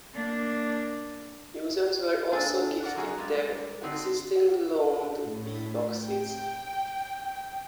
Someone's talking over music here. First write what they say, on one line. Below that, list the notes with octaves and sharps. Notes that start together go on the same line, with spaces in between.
Users were also gifted their existing loaned Be-Boxes.
A#3 D4
A#3 C4 D4 G#4 A4
F#4 A#4 D5 F#5
F#2 F#3 F#4 G#4
G3 G#3 A#3
D3 C4 D#4 F#4
A2
G5